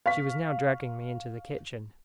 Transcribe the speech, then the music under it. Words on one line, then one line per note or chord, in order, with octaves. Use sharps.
She was now dragging me into the kitchen.
F5 C#6 B6